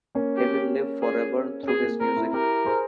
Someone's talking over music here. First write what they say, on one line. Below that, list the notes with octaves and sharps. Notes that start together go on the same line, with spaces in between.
He'll live forever through his music.
A#3 C#4
G4
G#4
C#4
C4 G#4
A#3
C4 A#4
C4 E4
E4 G4 A#4
G#4 C5